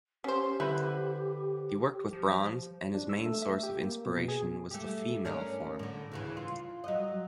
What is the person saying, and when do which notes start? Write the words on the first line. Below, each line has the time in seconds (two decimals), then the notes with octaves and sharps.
He worked with bronze and his main source of inspiration was the female form.
0.24 C#4 G4 C5
0.60 D3 E4 B4 C5 B5
2.13 F3
2.94 D4
3.10 E6
3.26 A3
3.42 E5
3.63 G4
3.82 A#3
4.06 B2
4.28 G#4
4.71 A3 G4
5.25 C#4 D4 A#4
5.79 A2 D3
6.12 D2 C#3 E3
6.37 F4
6.84 F#3 D#5